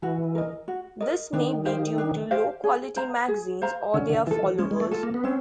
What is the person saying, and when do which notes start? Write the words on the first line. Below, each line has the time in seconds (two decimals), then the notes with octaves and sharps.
This may be due to low quality magazines, or their followers.
0.02 E3 F#4
0.35 A#4 D#5
0.68 F#4
1.00 A#4 D#5
1.33 D#3 D4
1.65 G4 C5 F5
1.98 D4
2.31 G4 C5 F5
2.64 G#4
2.96 C5 F5 A#5
3.28 G#4
3.62 C5 F5 A#5
3.94 D3 C#4
4.10 D3
4.26 E3 F4
4.31 A4
4.43 F3
4.59 G#3 C#4
4.71 G#3
4.80 A3
4.91 F4 A4
5.03 A#3
5.14 B3
5.24 C4 C#4